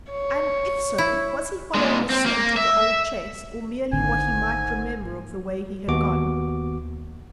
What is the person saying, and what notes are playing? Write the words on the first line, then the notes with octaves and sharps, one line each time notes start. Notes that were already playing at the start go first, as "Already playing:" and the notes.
And, if so, was he following the scent of the old chase or merely what he might remember of the way he had gone?
C#5
E4
A#2 G#3
C4
A#3
E5
G#1 G#2 D3 G#5
D#2 B3 F#4 D6